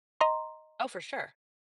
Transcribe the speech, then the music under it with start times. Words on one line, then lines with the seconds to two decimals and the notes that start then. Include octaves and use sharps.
Oh, for sure.
0.21 D#5 A#5 C6